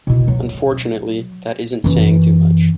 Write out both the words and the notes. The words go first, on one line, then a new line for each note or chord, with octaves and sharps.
Unfortunately, that isn't saying too much.
B2 E4
F#3
F#2 E3